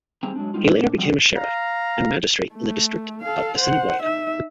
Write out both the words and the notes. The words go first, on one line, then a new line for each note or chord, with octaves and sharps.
He later became a sheriff and magistrate in the District of Assiniboia.
D#3 G3 C4 G#4 G#5 A#5
F#3 G#3 D4
G3 G#3 D#4 F4
A#2 D4
F3 G3 A3 C4 F#4
F5 A#5
A3
A4 F5
C5 F#5
D#4 E5